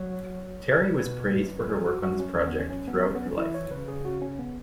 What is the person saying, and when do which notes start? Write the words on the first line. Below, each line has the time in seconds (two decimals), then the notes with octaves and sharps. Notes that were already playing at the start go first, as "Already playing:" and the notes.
Terry was praised for her work on this project throughout her life.
Already playing: F#3 C#5
0.68 G#4
0.85 B4
1.01 B2 B4
1.36 F#2
1.64 B4
1.69 G#4
1.86 F#4
2.02 F#2 F#4
2.20 C#4
2.36 E2 C#4
2.48 B3
2.59 C#4
2.69 F#2 C#4
2.87 B3
3.04 C#4
3.15 B3
3.26 C#4
3.37 E3 E4
3.54 C#5
3.71 C#3 B4
3.88 G#4
4.05 F#4
4.22 C#4
4.39 B3